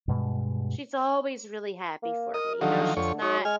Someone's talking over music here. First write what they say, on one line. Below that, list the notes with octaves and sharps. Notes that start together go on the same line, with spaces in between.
she's always really happy for me. You know, she's not,
G2 B2 G#3
A#3
A#4 D#5
D3 D#3 F3 F#3
F2 D3 C#5
F#3 D#4 C#5
G#3 G#5 F6